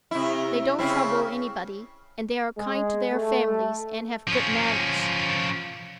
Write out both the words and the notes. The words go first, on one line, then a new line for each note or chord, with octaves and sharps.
"They don't trouble anybody, and they are kind to their families and have good manners."
C3 E4
C#3 C4 E4
G#3
A3
F3 C#4